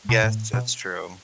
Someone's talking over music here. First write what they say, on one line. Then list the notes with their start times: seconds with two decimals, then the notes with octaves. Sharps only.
Yes, that's true.
0.09 B2
0.24 A2
0.53 B2